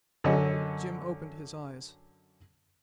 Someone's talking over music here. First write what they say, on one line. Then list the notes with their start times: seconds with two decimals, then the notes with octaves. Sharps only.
Jim opened his eyes.
0.24 F#2 D3 C#4 C#5 D#5 G#5